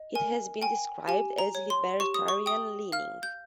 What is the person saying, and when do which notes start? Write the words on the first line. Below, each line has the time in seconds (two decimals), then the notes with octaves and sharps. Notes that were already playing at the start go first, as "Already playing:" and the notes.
It has been described as Libertarian-leaning.
Already playing: D#5
0.15 A#4 G#5
0.62 G5 G#5
1.08 G4 G#5
1.38 A#5
1.55 C#5
1.70 C6
2.00 G4 C#6
2.14 D#6
2.28 C#6
2.46 G5 D#6
2.92 F5 F6
3.23 G6